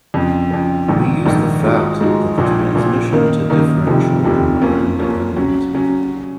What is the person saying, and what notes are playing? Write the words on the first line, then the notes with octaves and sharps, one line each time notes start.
We use the fact that the transmission to different children are independent.
F2 C#3 F3
F2 C#3 F3
A#1 G#2 D#3
A#1 G#2 D#3
G#2 F3 G#3 D#4 F#4
G#2 F3 G#3 D#4 F#4
A#1 A#2 F3
A#1 A#2 F3
F#2 D#3 A#3 D#4 A#4
F#2 D#3 A#3 D#4 A#4
F1 F2 C3 F3
F1 F2 C3 F3
F#2 F3 A#3 C#4
F#2 F3 A#3 C#4
C#3 F#3 C#4 F#4
C#3 F#3 C#4 F#4